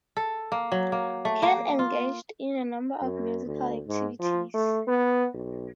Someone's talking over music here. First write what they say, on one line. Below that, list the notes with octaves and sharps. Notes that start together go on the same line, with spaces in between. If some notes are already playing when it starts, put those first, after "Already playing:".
Ken engaged in a number of musical activities.
A4
A#3
F#3
A#3
A3
A#3
F4
F#2
D2
G#2
F3
A3
B3
B1